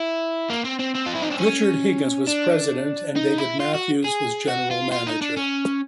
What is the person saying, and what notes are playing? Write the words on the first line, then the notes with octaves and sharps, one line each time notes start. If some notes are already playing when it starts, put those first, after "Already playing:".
Richard Higgins was president and David Matthews was general manager.
Already playing: E4
A#3
C4
C4
C4
F4
E4
D#4
D4
C#4
D4
D#4
E4
F4
F#4
G#4
F#4
F4
F4
D#4
D4
C#4